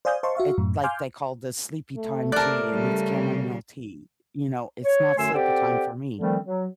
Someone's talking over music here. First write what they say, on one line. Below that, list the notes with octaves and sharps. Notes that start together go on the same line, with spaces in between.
it like, they call the Sleepytime tea and it's chamomile tea. You know, it's not sleepy time for me.
C5 D5 F5 G#5 D#6 G6
C5 D#5 F5 A5 C6 C#6
F#4 E5 F5 C#6
F#2 A2
F5 G#5 C6 D6 F6 G6
A3
C3 A#4 D5 A5 F#6
C#3 G3
C#5
F#2 D3 A3 G#5 C6 E6
C4 G4 A4 D5 F#5 G5
D3 D#3 F3 G3 A3 C4
F#3